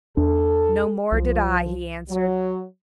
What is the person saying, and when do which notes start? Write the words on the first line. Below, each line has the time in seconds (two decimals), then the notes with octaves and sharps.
"No more did I," he answered.
0.17 E2 D4 A4
1.12 C2 F3
2.10 F#3